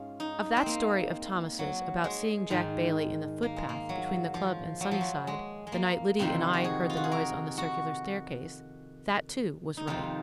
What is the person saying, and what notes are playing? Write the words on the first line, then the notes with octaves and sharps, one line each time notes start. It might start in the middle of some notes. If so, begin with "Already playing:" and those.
Of that story of Thomas', about seeing Jack Bailey in the footpath between the club and Sunnyside, the night Liddy and I heard the noise on the circular staircase--that, too, was right.
Already playing: G#2 G#3 C#4 F4
D#4
C4
A#3
F#3
G#3
G#2 D#3
A#3
G#3
A#3
F#3
F3
F#3
F3
F#3
G#3
G#3
A#3
F2 C3 D#3 C4
F#4
G#4
F4
F#4
G#4
A#4
F#4
D#4
F2 C3 D#3 F4